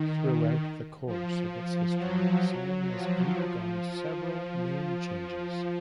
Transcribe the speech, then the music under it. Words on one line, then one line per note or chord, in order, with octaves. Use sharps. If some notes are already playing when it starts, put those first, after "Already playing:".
Throughout the course of its history, Sam has undergone several name changes.
Already playing: D#3
F3
F#3
F#3
F3
F3